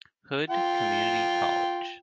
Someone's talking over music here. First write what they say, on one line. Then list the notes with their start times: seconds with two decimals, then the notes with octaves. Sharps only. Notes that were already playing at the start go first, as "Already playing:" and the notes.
Hood Community College.
0.50 F4 G5